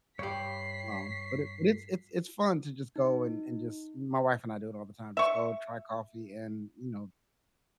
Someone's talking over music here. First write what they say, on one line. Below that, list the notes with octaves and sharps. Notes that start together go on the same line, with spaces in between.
um, but it but it's it's it's fun to just go and and just my wife and I do it all the time, just go and try coffee and, you know,
G2 G4 C#5 B5 B6 C7
D#4
E5 C#6